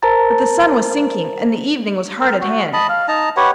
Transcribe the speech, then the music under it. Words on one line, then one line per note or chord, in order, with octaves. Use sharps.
But the sun was sinking, and the evening was hard at hand.
A#4 C5 A5 A#5 A6
A#4
F#4
D#5 A5 B5
F5
D#4 A5 A#5
G4 B4 C#5 F#5